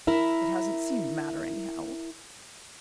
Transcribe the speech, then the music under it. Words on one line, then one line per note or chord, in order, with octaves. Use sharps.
"It hasn't seemed to matter, anyhow."
E4 A#4 E5